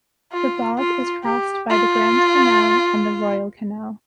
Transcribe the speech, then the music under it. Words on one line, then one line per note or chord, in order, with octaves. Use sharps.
The bog is crossed by the Grand Canal and the Royal Canal.
F4
F4
G4
F4